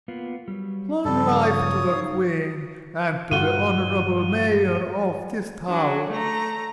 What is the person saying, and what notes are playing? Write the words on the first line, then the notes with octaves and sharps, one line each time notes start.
Long life to the queen and to the honorable mayor of this town!
A#3 B3 F4
F#3 G3
G2 C#3 F3 G3 A4
C#5 D#6
D#4 F5
G2 A#2 E3 F4 F#4 F5 D#7 G7
F#3 D4
A3 A#5